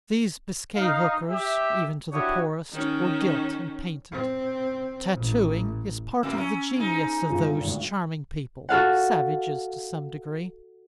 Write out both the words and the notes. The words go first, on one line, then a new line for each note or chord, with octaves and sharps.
These Biscay hookers, even to the poorest, were gilt and painted. Tattooing is part of the genius of those charming people, savages to some degree.
D#4 F5
G4 E5
D4 E4 F#4 G4 C#5 D#6
D#3 C#4
C4
A1
F2 A2 A#3 E6
C#4
G#2 D#4
G1 C#2
G#1 D2
F#4 A4 F5 F#5